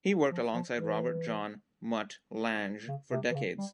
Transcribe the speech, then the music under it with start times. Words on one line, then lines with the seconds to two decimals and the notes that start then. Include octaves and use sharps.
He worked alongside Robert John "Mutt" Lange for decades.
0.08 G3
0.31 F3
0.54 F3
0.78 E3
2.88 C#3
3.11 C3
3.31 E3
3.35 C#3
3.58 G3